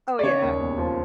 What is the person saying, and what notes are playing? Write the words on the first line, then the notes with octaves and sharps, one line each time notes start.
Oh, yeah.
D5
C#3 C#5
D#2
E1
F3